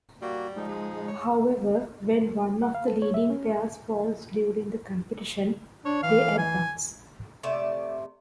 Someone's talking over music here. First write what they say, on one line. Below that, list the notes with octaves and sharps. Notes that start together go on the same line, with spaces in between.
However, when one of the leading pairs falls during the competition, they advance.
G3 A#3 F#4
F3 G#3 D#4
G#4
C#5
F#5
F5
A4
C#5
E5
C#4
D4 C#5
E3 F5
G#5
C3 A3 D5 E5